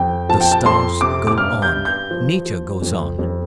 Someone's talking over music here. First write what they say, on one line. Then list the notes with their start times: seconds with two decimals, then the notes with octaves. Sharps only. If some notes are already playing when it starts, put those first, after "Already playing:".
The stars go on. Nature goes on.
Already playing: F2 G5
0.29 F3 A5
0.41 G5
0.52 A5
0.65 F2 C6
1.01 C3 D6
1.27 D6
1.38 G2 F6
1.62 G6
1.74 G2
1.85 G6
2.11 F3
2.46 F3
2.82 F2
3.19 F2